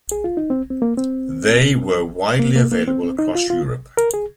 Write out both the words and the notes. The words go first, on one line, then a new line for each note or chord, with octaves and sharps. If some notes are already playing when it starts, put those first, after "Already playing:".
They were widely available across Europe.
G#4
F4
D#4
C4
C4
A#3
C4
A#3
A#3
A#3
C4
C4
D#4
F4
F4
A#4
G#4